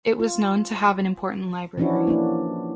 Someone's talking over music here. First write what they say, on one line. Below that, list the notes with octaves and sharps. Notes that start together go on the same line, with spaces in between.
It was known to have an important library.
F4
E3 F3 C#4 D4 E4 F#4
A#3 D4